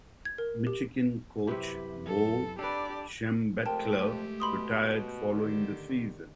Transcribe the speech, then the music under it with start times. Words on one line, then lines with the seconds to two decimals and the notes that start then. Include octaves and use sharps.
Michigan coach Bo Schembechler retired following the season.
0.25 G#6
0.38 A#4
0.67 G4
1.47 F#2 C3 E4 G4 B4
2.06 A4
2.59 D4 G4 A4 B4 D5
3.66 F2 G#3 A3 G4 A#4 G5 A5
4.40 B2 B5 C6 D#6
5.32 D3 D#3 G4